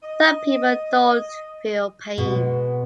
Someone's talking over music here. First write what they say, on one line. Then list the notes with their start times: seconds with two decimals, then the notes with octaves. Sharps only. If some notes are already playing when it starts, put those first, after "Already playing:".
Some people don’t feel pain.
0.03 D#5
2.18 B2 G#3